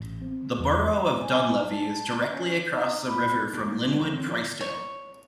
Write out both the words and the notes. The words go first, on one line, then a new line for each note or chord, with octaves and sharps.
The borough of Dunlevy is directly across the river from Lynnwood-Pricedale.
A1
C4
E2
G#5
A5
C#4
D#4
B5
B3 D4 D#4 G4 A#4
A#3
C#3 G#3 F4
D3 E3 A3
C4 C#5
D#3 F3 E4 F4 G4 A#4
C#5